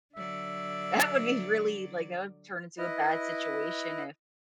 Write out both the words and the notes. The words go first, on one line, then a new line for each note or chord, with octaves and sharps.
that would be really, like, that would turn into a bad situation if
D3 F#3 D5 E5
E4 B4 D#5